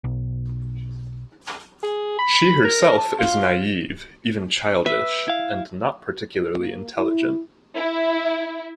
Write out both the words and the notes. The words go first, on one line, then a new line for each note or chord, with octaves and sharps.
She herself is naive, even childish, and not particularly intelligent.
B1
G#4
B5
A#4
A5
F4
B4 E5
E4 F5
A#3
E4
E4